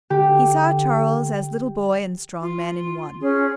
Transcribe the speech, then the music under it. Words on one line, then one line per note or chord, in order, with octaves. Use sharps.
He saw Charles as little boy and strong man in one.
D3 G4
F4
C#4 G#4